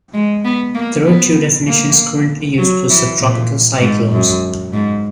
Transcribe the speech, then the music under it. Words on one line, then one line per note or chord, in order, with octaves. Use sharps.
There are two definitions currently used for subtropical cyclones.
G#3
B3
A#3
B3
A#3
F#3
E3
A#2
G#2
F#2
G#2